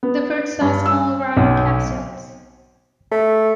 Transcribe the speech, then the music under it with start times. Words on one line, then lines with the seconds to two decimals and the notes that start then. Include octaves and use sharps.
The fruits are small round capsules.
0.03 B3
0.61 G2
0.86 E6
1.37 B1
3.12 A3